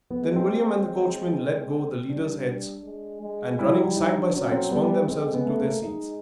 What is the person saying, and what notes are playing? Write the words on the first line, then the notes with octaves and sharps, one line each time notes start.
Then William and the coachman let go the leaders' heads, and running side by side swung themselves into their seats.
B3
G#3
C4
G#3
G3 D4
G#3
G#3
G3 E4
E4
D#4
D4
F#3 C#4
C4
G3 B3
G#3 C4
B3
A3
A#3
G#3 D#4